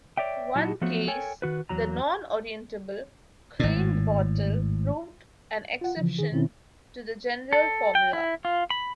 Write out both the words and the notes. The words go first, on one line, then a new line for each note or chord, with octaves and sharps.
One case, the non-orientable Klein bottle, proved an exception to the general formula.
C#5 D5 E5 G5
A#2 F#3 D#4 E4 F#4 A5
F3 F#3 A3 B3 F#4
A4 A#4 C#5 G5 G#5
D#3 F#4 B4
E2 F#3 A#5
G#1 A2
F4 F#5
C#3 E3 F3
D#3 G#4
B2 D#3 C4 C#4 E4
A4
G5
E4
F4
B5